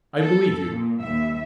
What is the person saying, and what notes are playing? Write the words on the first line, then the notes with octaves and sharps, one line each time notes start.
"I believe you."
B3 A4
A#2
D#2 G3 E5